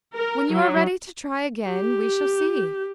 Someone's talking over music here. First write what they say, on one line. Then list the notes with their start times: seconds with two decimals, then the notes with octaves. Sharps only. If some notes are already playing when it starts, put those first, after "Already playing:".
"When you are ready to try again, we shall see."
0.15 A#4
0.51 F#3
1.68 G4